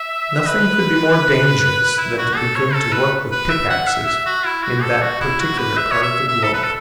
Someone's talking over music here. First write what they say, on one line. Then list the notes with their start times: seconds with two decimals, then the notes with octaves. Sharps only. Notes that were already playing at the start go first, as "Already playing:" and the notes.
Nothing could be more dangerous than to begin to work with pickaxes in that particular part of the globe.
Already playing: E5
0.47 B4
1.98 E4
2.18 F#4
2.36 A4
2.56 C#5
2.74 A4
2.93 B4
3.31 B4
3.49 E5
3.69 F#5
3.87 E5
4.07 E5
4.26 F#4
4.45 E4
4.63 F#4
4.82 A4
5.02 F#4
5.21 E4
5.39 F#4
5.58 B4
5.77 E5
5.91 C#5
6.02 E5
6.28 E5
6.43 A4
6.53 B4
6.64 A4